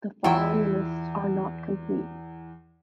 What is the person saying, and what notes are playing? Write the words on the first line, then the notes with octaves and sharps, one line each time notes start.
The following lists are not complete.
E2 E4 F4 G5